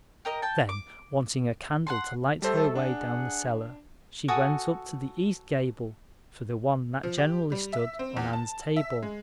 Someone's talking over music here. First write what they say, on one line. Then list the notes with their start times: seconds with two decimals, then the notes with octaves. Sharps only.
Then, wanting a candle to light her way down the cellar, she went up to the east gable for the one that generally stood on Anne's table.
0.25 G4 A#4 D#5
0.42 G5 A5
0.69 D6
1.87 F#5 A5 C6
2.42 G3 A3 A4 C5
2.75 D4 G#4 F#5
4.28 F#4 A4 G#5 D#6
7.03 F3
7.18 G4
7.52 G3
7.73 E5
7.99 C4
8.17 E2
8.33 A5
8.76 E5
9.03 G#3